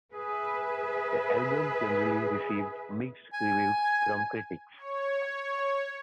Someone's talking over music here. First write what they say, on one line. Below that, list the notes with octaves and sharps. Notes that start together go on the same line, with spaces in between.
The album generally received mixed reviews from critics.
G#4 B4 E5
G#5
C#5